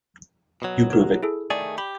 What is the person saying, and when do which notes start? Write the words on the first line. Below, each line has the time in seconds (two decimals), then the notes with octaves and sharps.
You prove it.
0.62 B2 F#3
0.90 A#4 C#5
1.23 E4 G#4 A4
1.50 D#3 A3 G#4 D5
1.78 G4 B5